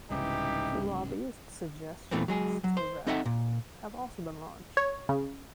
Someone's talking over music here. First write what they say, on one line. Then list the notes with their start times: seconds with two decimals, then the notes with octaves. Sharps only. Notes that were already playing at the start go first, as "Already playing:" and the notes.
Two lobbyist suggestions to the route have also been launched.
0.10 C2 G#2 C#3 E3 D#4 G4
2.11 E2 A#2 E3 A3 B3 C4
2.28 F#3 G#3 G#4
2.64 F#3
2.77 C5
3.07 C4 D#4 A4 D#5 E5 F#5
3.25 A#2
4.77 C#5
5.09 C#3